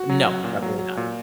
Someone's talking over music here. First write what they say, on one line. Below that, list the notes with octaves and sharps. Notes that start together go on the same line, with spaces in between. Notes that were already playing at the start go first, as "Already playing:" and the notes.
No. Probably
Already playing: F#4
F#3
F#3
A#2
F#3
F#3
A#2